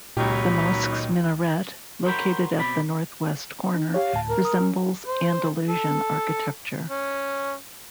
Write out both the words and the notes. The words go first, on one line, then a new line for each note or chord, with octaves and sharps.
The mosque's minaret, located at the northwest corner, resembles Andalusian architecture.
C#2 A#2 D#3 F#3 D#4 G4 B5
F#4 A#4 C5 C#5 G5 B5
B2 C4 D5 B5
D#4
G4 C#5 F5
D2 A2 A5
A#4
D#6
C#4
C5
A4
C#4